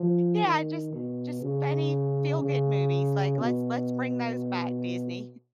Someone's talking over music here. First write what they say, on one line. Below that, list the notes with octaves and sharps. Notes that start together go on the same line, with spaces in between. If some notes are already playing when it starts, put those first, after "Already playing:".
yeah, just just funny feel-good movies, like, let's let's bring those back, Disney,
Already playing: F3
D#3
B2
C#3
C#3
B2